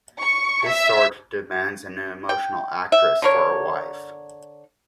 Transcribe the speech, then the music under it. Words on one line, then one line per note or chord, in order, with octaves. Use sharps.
This sort demands an emotional actress for a wife.
C#6
E5
G5
E5
D3 A#4 C#5